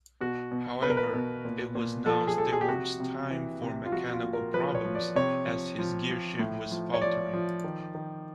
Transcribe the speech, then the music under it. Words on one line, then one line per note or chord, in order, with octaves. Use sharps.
However, it was now Stewart's time for mechanical problems as his gearshift was faltering.
B2 F#4
B2
B2 B4
A#4
B4
B2
A#2
A#2
F3 A4
G#4
F3 A4
G#4
G4
C3 F#4
C3
E3
C3
F4
F3 F#4
F4
A#2
A#4
F3 B4
C#5
F3
D5
C3 C#5
F3
F3
F3
A2
F3
C#5
F3 D5
F3
D#3
D#3